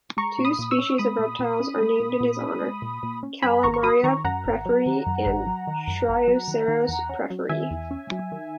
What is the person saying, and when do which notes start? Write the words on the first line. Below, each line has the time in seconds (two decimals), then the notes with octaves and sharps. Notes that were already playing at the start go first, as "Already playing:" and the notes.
Two species of reptiles are named in his honor, "Calamaria pfefferi" and "Trioceros pfefferi".
0.17 G#3 A#5 C#6
0.38 A#2
0.45 B5 D#6
0.59 A#2
0.71 C#6 E6
0.78 C#4
0.98 G#3 B5 D#6
1.19 A#2
1.39 A#2
1.60 C#4
1.81 G#3
2.00 A#2
2.21 A#2
2.42 C#4
2.61 G#3
2.82 A#2
3.03 A#2
3.23 C#4
3.42 F#2 G#5 B5
3.63 G#1 A#5 C#6
3.74 C#6
3.83 F#3 B5 D#6
4.03 D#3 A#5 C#6
4.24 F#2 F#5 A#5
4.45 G#1
4.65 F#3
4.86 D#3
5.06 F#2
5.26 G#1
5.47 F#3
5.67 D#3
5.87 F#2
6.08 G#1
6.28 F#3
6.48 D#3
6.68 D#3
6.89 E2
7.09 C#4
7.30 F#3
7.49 D#3 E5 G#5
7.71 E2
7.91 C#4
8.12 F#3
8.32 D#3